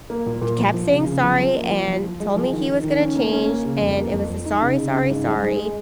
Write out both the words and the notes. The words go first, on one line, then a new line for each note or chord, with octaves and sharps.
kept saying sorry and told me he was gonna change, and it was a, "Sorry, sorry, sorry."
A#3
A#2
A#2
F3
F3
C#3
C#3
F3
F3
A#3
F3
F3
F3
G#3
F3
D#3
D#3
D#3
C#4
A#3
C#4
A#3
C#3
F2
A#3
F2
F2
D#4
C#3
C#3
C#3
G#2
G#3
G#3